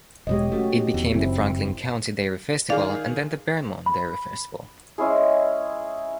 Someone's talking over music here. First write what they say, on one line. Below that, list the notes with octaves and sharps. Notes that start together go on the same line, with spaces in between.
It became the Franklin County Dairy Festival and then The Vermont Dairy Festival.
E1 B2 G#3 G4 C#5 D#5
A3 C#4 F#4 G4
D#4 G4
E2
F#1 C4 E4
D#3 G#4 D5 F5 F6
B5
G#3 C#4 E4 G#4